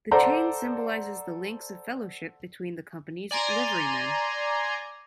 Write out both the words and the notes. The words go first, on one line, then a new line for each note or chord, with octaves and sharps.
The chain symbolises the links of fellowship between the Company's liverymen.
A4 C5 D5 F#5 A#5
D5 G#5 A#5 C6